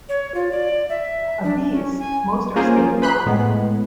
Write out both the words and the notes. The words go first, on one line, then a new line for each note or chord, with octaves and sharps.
Of these, most are statewide.
C#5
F4
D5
E5
D4
C#4
G#5
A#3 C#4 F4 G#4 A#4 C5
B4 C5 B5 C6 F#6
A2 G#3 B3